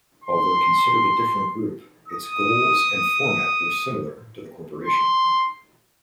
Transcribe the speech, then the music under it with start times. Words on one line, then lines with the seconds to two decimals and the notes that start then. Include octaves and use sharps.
Although considered a different group, its goals and format were similar to The Corporation.
0.24 C6
2.08 D#6
4.84 C6